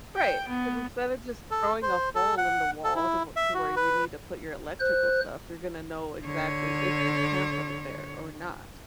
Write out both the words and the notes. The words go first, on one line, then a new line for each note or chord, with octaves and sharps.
Right, 'cause instead of just throwing a hole in the wall the wh to where you need to put your electrical stuff, you're gonna know exactly if you can put it there or not.
G5
B3
A4
C5
A4
F#5
A4
E4
E5
F#4
B4
C5 F#6
D3 C#5